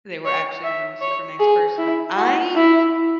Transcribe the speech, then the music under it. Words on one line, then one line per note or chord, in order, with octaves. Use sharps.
they were actually, you know, a super nice person I
C#5
E5
C#5
G#4
E4
F#4
E4